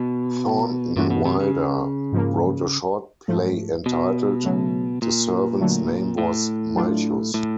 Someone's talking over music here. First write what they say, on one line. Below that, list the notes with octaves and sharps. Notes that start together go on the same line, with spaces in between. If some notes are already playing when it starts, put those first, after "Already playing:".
Thornton Wilder wrote a short play entitled, "The Servant's Name Was Malchus".
Already playing: B2
G2 A#2 E3 A3 C#4 F#4
B2
C3
C#3
G#2 F3 A#3
G#2 F3 A3
B2
C#3 F#3 A3
A#2
D3 F#3 A3
A2
F#3 A3 D4 F4
A2